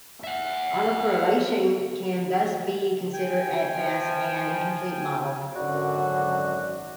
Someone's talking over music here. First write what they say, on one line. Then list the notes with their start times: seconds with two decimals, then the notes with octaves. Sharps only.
Autocorrelation can thus be considered, at best, an incomplete model.
0.24 E5 F#5
3.13 G5 G#5
3.73 F3
5.56 G#1 F#2 D3 F#4 D5